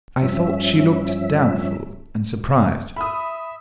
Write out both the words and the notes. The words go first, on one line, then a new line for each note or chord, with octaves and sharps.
I thought she looked doubtful and surprised.
G2 F3 C#4 E5
E5 B5 D#6